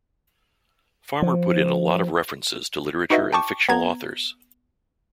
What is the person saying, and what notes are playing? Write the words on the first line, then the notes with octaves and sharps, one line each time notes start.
Farmer put in a lot of references to literature and fictional authors...
F3
D#4 F#4 B4 D#5 E5
G5 A5 C#6 D6
B3 A#5 G#6